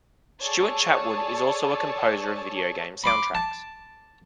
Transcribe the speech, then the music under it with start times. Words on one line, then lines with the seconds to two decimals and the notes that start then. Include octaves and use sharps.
Stuart Chatwood is also a composer of video game soundtracks.
0.42 G#4 A4 C#5 D5 A5
3.04 B5 C6 D6
3.35 A5